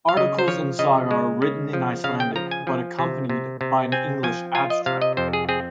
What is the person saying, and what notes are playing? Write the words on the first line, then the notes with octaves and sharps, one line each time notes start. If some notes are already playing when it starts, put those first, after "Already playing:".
Articles in "Saga" are written in Icelandic but accompanied by an English abstract.
F5
C#3 D#5
C5
F3 C#5
C#3 D#5
G#3
C#3
F3
C#3 F5
G5
F3 A#5
G#5
F3
C3
C3
C3
C4 G#5
F3 G#5
F4 G#5
D#5
C3 F5
D#5
F2 C5
G#4
C4 G#4